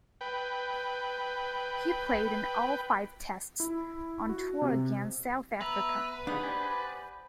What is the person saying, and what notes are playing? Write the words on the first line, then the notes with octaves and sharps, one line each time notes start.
He played in all five Tests on tour against South Africa.
B4 G5
E4
F#4
C3
B3 B4 E5 A#5
B3 D4 D#4 G4 G#4
G4 C5 D5 G#5